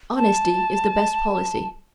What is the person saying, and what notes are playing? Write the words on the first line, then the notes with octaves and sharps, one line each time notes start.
Honesty is the Best Policy.
A5